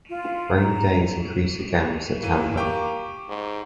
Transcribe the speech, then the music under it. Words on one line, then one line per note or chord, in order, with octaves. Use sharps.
Rainy days increase again with September.
F4
A#5
E3 A#3 D#7
G4 G5 C#6 D6
G#2